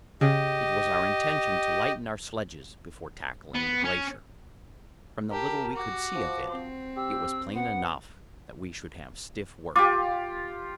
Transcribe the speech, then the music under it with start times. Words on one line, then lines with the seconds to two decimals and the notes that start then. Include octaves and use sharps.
It was our intention to lighten our sledges before tackling the glacier; from the little we could see of it, it was plain enough that we should have stiff work.
0.21 C#3 G4 D#5
3.55 B3
3.85 C#4
5.31 G4 A#4 A5
5.76 F#4 D6
6.15 F3
6.49 C4
6.96 G4 E6
7.54 B3 F#5
9.76 F4 G4 D6